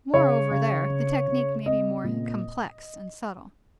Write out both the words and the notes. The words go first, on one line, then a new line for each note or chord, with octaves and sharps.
Moreover there the technique may be more complex and subtle.
C#3 C#5
C#3
C#3
C#3
C4 D#5
A#2